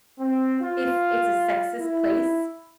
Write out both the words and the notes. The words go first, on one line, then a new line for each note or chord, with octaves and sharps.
if it's a sexist place
C4
F4
E4